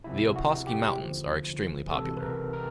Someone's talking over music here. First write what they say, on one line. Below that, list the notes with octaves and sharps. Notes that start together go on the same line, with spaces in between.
The Opawskie Mountains are extremely popular.
D2 C3 F3 E4
F#4
G4
D#2 D3 F3
C#2 C3 E3 A4
B4
A#4
A#4